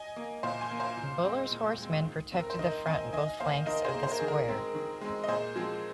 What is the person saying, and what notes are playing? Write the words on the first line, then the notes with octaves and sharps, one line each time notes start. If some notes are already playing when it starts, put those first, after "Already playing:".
Buller's horsemen protected the front and both flanks of the square.
Already playing: D#5 G#5
A#3
A#2 C5 F5
G#5 C6
A#3
C5 F5
A#2
G#3 C4
A#2
G#3 C4
D#3
C4
A#4
C5
D#3 A#4 D#5
C4 D#5 G#5
D#3 D#5 G#5
A#3 C5 F5
D#3 A#4 D#5
G#4 C5
A#3
C5
A#4
D#3 G#4
A#4
G#3 C4
D#3
G#3 C4
D#5
A#2 G#4 C5
F3 G#3 C4 G#4